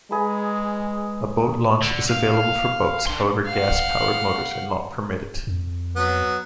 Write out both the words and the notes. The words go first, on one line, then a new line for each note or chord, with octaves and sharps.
A boat launch is available for boats, however gas-powered motors are not permitted.
G#3 G#4 B4 A#5
D3
F5
D4 C6
F5 F#5
F2
F#3 B3